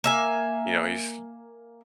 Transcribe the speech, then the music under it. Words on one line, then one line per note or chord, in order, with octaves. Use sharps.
you know, he's,
A#3 E5 G#5